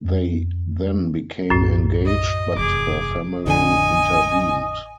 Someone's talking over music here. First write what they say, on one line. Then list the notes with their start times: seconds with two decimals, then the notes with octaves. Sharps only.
They then became engaged but her family intervened.
0.05 F2
1.50 B1 F#2 A2 B3
2.06 D#5
2.56 F1 E2 G#4 D6
3.46 A1 F2 D3 D#5 G#5